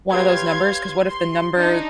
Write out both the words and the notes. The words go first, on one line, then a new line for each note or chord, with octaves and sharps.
one of those numbers, 'cause what if the number
G4 B4 C#5 F5 C6 G#6
C6
D4 D#4